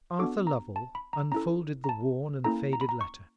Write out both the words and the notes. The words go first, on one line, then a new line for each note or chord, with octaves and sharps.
Arthur Lovell unfolded the worn and faded letter.
B3 D4 F#4 A4 D6
A#5
A5
B5
A#5
C#4 E4 A4 A#5
A#5
A5
A#3 C#4 E4 A4 A#5
A#5
B5
A#5
C#6